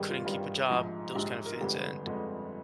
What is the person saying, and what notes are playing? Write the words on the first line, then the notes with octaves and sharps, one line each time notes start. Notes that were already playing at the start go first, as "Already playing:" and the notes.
couldn't keep a job, those kind of things and
Already playing: G#1 G2 D#3 G3 G4 G#4
F4
G#1 G2 D#3 G3 G4
A#1 G#2 F3 G#3
A#1 G#2 F3 G#3 G4
A#4
G1 F2 D3 G#3 G4
G1 F2 D3 G#3